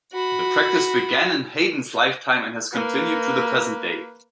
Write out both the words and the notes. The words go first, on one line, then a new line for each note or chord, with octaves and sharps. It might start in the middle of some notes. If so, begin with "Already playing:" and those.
The practice began in Haydn's lifetime and has continued to the present day.
F#4 B5
A#3 B4